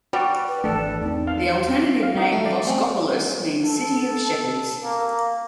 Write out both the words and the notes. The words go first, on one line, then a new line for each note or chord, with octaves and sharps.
The alternative name "Voskopolis" means "City of shepherds".
G3 F#4 D5
B4
G#1 E3 A3 D4 A4 D5
E2 C4 D#4
F5
F5
D#4
A3
D5
C4 C#4
A4
A#3